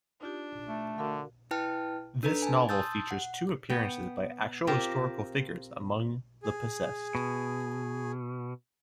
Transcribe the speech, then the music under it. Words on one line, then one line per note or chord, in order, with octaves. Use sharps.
This novel features two appearances by actual historical figures among the possessed.
D4 D#4 F4 G4
A3
D3 F#4 A#4 F5
E4 B4 G5 A5 F6
D4 A4 B4 A#5
G#5 A5
A5 C6 D#6 E6 G6 A6
F#5
B3 G5
C4 F4 G4 A#4
G#4
B2